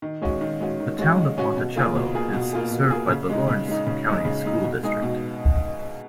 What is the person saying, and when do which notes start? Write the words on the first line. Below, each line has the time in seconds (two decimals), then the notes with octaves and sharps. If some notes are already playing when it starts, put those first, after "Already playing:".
The Town of Monticello is served by the Lawrence County School District.
0.02 D#3
0.21 G#3 C#4 F#4
0.41 D#3
0.60 G#3 C#4 F#4
0.80 D#3
0.98 G#3 C#4 F#4
1.18 D#3
1.37 G#3 C#4 F#4
1.57 B2
1.76 A#3 F4 G#4
1.95 B2
2.14 A#3 F4 G#4
2.33 B2
2.53 A#3 F4 G#4
2.71 B2
2.90 A#3 F4 G#4
3.09 C#3
3.29 G#3 D#4
3.48 C#3
3.68 G#3 D#4
3.87 C#3
4.07 G#3 D#4
4.25 C#3
4.45 G#3 D#4
4.63 B2
4.83 G#3 D#4 G#4
5.02 B2